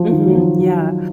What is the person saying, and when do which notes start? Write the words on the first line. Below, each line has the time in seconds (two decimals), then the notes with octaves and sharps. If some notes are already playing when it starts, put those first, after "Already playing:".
Mhm. Yeah.
Already playing: F3 F#3
0.12 D#3
0.26 F#3
0.35 F3
0.59 F#3